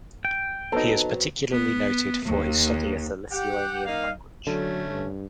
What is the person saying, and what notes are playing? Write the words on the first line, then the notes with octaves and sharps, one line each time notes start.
He is particularly noted for his study of the Lithuanian language.
G5
F#3 B3 C4 D#4 A4
B3
D#2
G4 F#5
A#3 D#4 F5
D3 F#3 A3 C#4
G2